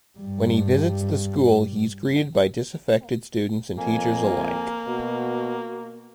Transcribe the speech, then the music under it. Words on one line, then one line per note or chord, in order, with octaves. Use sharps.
When he visits the school, he's greeted by disaffected students and teachers alike.
G2 G3
F2 A#3 G#5
B2 F#4